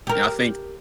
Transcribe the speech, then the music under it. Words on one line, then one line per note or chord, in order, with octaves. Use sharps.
and I think,
G4 A#4